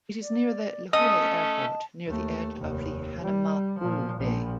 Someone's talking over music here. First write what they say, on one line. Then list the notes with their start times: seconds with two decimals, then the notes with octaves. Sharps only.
It is near the Lihu'e Airport, near the edge of the Hanama'ulu Bay.
0.22 D5
0.93 A3 C#4 A4 D#5 A5 D#6
2.07 D#2 A3
2.59 F1 D#2
3.22 G3
3.79 A#2 F3
4.18 A#1 F3